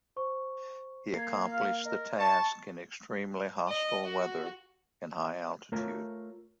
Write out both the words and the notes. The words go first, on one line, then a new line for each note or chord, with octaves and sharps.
He accomplished the task in extremely hostile weather in high altitude.
C5 C#6
A#3 G#6 C7
F5
A#4 D#5
A5 C#6
D#5
F#4
A3 F4 A#4 C#5 A#5